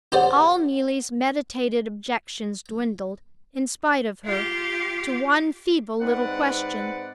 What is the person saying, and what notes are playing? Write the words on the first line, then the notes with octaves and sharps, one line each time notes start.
All Neelie's meditated objections dwindled, in spite of her, to one feeble little question.
G4 C5 D5 F#5
F4 G4
G#2 C4 D#4 B4 D5 F#5